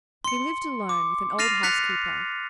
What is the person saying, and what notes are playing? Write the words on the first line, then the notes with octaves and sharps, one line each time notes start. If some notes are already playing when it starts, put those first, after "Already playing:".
He lived alone with an old housekeeper.
C6 C#7
D6
F6 A6 A#6 C7 D#7 F7
F#6 A6 B6 C#7 F7